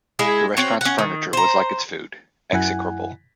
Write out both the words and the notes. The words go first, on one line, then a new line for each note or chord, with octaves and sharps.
The restaurant’s furniture was like its food – execrable.
G#3 E4 G#4
C4 C#4 F#4 C#5
C#4 F#5
D#3
C5 A#5
F#2 E4 F#5 G#5 F#6